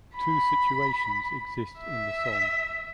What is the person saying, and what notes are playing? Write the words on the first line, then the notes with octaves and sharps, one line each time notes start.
Two situations exist in the song.
B5
E5